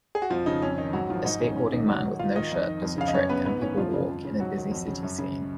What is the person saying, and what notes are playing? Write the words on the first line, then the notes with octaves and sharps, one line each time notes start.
A skateboarding man with no shirt does a trick and people walk in a busy city scene.
G#4
F#4
F2 F3 F4
C#3 D#4
F2 C#4
D#3 D#4
G#2 F#3 F#4
D#3 F3 F4
G#2 D#4
D#3 C#4
G#2 C#4
D#3 D#4
G#2 F#3 F#4
D#3
G#2 F4 F5
D#3 D#4 D#5
F2
D#3
F2
C#3 F5
D#5
F#2 C#4 C#5
C#3 B3 B4
G#2 B3 B4
D#3 C#4 C#5
F#2 F3 F4
C#3
F2
C#3
G#2 F#3 F#4
D#3
F2
C#3
F#2
C#3